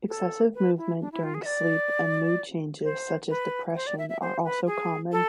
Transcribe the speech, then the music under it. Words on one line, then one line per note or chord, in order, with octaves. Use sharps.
Excessive movement during sleep and mood changes such as depression are also common.
A4
B4
E4
D4
E4
F4
G#4
E5
D5
C5
B4
C5
D5
E5
E5
C5
B4
G#4
A4